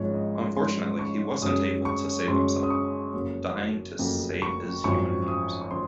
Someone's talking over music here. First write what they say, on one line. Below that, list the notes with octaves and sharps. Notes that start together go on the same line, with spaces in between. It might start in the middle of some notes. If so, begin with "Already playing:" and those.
Unfortunately, he wasn't able to save himself, dying to save his human peers.
Already playing: G#1 G#2 F3 G#3 C#4 C#5
D#5
C6
G#1 G#2 F3 G#3 C#4 C6
C#6
F#2 C#3 G#3 C#4 D#6
C#6
F#2 C#3 G#3 C#4 C6
D#6
C#6
F#1 F2 C#3 F#3 A#3
F#1 F2 C#3 F#3 A#3
C#6
G#1 F#2 F3 C4 C#6
D#6
C#6
F3 C4 C6